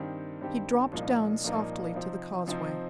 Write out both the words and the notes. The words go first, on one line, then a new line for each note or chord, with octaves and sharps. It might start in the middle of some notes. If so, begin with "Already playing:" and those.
He dropped down softly to the causeway.
Already playing: G2 D#3 C4 G4
G2 D#3 C4 G4
C2 A#2 F3 A#3 D#4
C2 A#2 F3 A#3 D#4
C3 F3 C4 D#4
C3 F3 C4 D#4